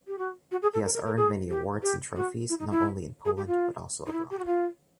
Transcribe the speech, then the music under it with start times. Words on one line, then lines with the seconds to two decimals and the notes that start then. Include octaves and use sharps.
He has earned many awards and trophies, not only in Poland, but also abroad.
0.07 G4
0.18 F#4
0.51 F#4
0.62 G#4
0.73 A4
0.84 A#4
0.95 A#4
1.06 A#4
1.16 G#4
1.49 G4
1.82 G4
2.15 F#4
2.49 E4
2.59 D#4
2.71 E4
3.25 G#4
3.37 G4
3.47 F4
4.06 D#4
4.12 E4
4.30 G4
4.39 F#4
4.45 F4